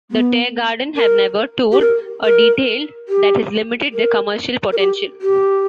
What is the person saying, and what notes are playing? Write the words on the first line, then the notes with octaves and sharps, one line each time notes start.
The Tear Garden have never toured, a detail that has limited their commercial potential.
B3
A#4
G4
A#4
A#4
G4
A#4
A#4
G4
G4